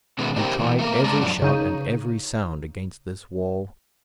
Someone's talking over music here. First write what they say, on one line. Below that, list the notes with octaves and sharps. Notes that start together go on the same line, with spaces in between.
He tried every shout and every sound against this wall.
B2 D#3 G#3 A3 B3 C#4
D4 D#4 G4 A#4 C5 G5
B2 E3
A3 A#3 A#4
G2 D3 G#3 D4 A5 A#5
F#2 F3 D4
C#3 D#4